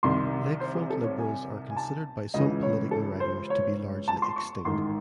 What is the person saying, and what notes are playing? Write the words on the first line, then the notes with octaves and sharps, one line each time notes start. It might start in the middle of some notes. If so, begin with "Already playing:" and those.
Lakefront liberals are considered by some political writers to be largely extinct.
C2 C3 D#3 C6
C5
G#4
A4
C#5
G#5
G#5
A5
C#2 C#3 E3 D#5
C#5
A4
C5
C#5
A5
C6
C#6
A1 G#2 D#3 C6